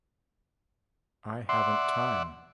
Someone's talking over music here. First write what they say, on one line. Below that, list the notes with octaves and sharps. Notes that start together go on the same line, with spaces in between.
I haven't time.
D5 E5 F#5 C6